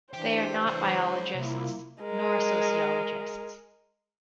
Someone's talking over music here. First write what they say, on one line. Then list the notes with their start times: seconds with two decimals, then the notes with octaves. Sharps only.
They are not biologists nor sociologists.
0.13 E3 D4 G4 C5
0.67 G#3 C#5
1.35 C2 A#3 E4 F4
2.03 G#3 A#4